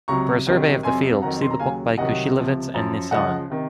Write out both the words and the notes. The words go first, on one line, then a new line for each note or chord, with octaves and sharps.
For a survey of the field, see the book by Kushilevitz and Nisan.
C#2 C3 F#3 A#5 C#6
C2 C3 D#3 F#3
F2 C3 F#3 G#5 C6
F2 D#3 F#3 F#5 A#5
C6
A#5
D#2 C#3 F#3 F5 G#5
C2 C3 D#3 F#3 D#5 F#5
C#2 C3 F3
F#2 F3
C#2 C#3 F3 D#5 F#5
C3 D#3